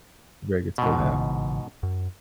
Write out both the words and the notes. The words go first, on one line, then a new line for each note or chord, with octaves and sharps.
Very good skill to have.
G#2 B2
A1 C#3 E3
F#2